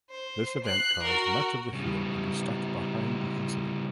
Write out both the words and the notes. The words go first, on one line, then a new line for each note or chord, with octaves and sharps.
This event caused much of the field to be stuck behind the incident.
C5
F#6 C7
F#4 A#4
C#3 G3